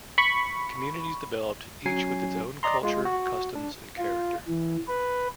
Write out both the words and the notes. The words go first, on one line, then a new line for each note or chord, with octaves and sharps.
Communities developed each with its own culture, customs, and character.
B5 C#6
F#3 C#4 G#5 C7
D5 D#5 A#5 C6
G#3 F4
F#4
D4
F4
E3
B4